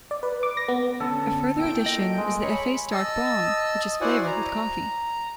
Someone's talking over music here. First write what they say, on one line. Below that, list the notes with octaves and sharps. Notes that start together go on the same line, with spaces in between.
A further addition is the Efes Dark Brown which is flavored with coffee.
D5
B4
D6
A#6
B3
D3 B3 C#4 A4
A#2 E4 G5 D7
A#4 D#5
G#3
C#5 B5
D#5 A5 E6
E4 F#4 C5 D5 F#5 G#5
A#5